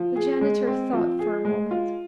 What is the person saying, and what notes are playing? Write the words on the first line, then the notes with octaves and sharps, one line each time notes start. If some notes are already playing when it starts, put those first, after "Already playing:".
The janitor thought for a moment.
Already playing: F3
G#4
G#3
C4
F3
G#4
G#3
F4